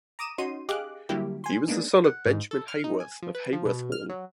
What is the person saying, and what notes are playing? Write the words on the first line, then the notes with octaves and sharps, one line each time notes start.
He was the son of Benjamin Haworth of Haworth Hall.
A#5 D6 D#6 D#7 E7
C#4 D#4 F#4 C6 D#7
G4 G#4 D#5 F5 D6 F#6
D3 F#3 G3 A#3 E4 G4
G#5 C6
G#3 A#3 B3 D4 D#4
F#5
G#2
A4
F6
D#4
G#5
F3
B4
F3
B2
F6
F#3